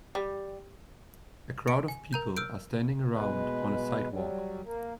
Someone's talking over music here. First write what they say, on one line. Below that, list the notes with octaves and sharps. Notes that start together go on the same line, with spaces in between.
A crowd of people are standing around on a sidewalk.
G3
C#7 D7
G#5
A#4 A#5 G6
E6 F6 G6 D7
B2 G#3 B4
F#3 G3
A#3